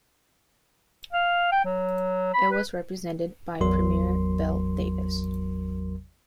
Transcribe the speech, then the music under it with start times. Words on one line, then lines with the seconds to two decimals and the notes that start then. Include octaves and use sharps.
It was represented by Premier Bill Davis.
1.13 F5
1.52 G5
1.65 F#3
2.34 B5
2.51 B4
3.60 G#1 E2 F#3 A#4 C6